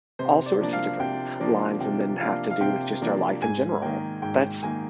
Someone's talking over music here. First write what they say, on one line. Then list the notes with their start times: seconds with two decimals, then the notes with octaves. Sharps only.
all sorts of different lines, and then have to do with just our life in general? That's
0.19 C3 C5
0.46 D5
0.60 F3 A#3 D4
0.73 F5
1.00 C3 G5
1.40 F3 A#3 D4
1.80 C3 G5
2.20 F3 A#3 D4 F5
2.51 F5
2.61 C3 G5
3.01 F3 A#3 D4
3.42 G#2 G#5
3.82 D#3 A#3 G5
4.22 G#2 G5
4.63 D#3 A#3 G#5